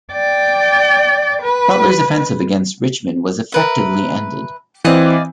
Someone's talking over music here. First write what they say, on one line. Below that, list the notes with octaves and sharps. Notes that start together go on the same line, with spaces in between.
Butler's offensive against Richmond was effectively ended.
D5 G5
B4
A#4 B4 E5
E3 C4 D5 D#5 F5